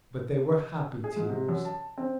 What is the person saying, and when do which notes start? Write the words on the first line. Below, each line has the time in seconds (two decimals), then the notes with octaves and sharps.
But they were happy tears.
1.04 G#4
1.16 G#2
1.29 C3
1.49 F#2
1.65 A5
1.98 C4